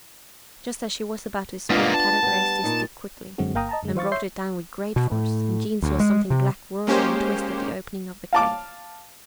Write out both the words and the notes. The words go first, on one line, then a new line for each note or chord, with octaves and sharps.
Just as she was about to speak, Kadok raised his stick quickly and brought it down with great force and Jean saw something black whirl and twist at the opening of the cave.
G#2 A#3 B3 D4 F4
A5
G3 B3
A#2 D#4
F#2 D3 F#3 G#3 C4 F#4
G1 A#3 F5 G5 A#5 D#6
D#5 A5 A#5
F#2 D3 G#3
E3 C5 F5 C#6 A6
C#5 E5 C6 G6 C7
B2
A2
D2
G#3
C3
G#3 A#3 C#4 G4 C5
F5 A5 D6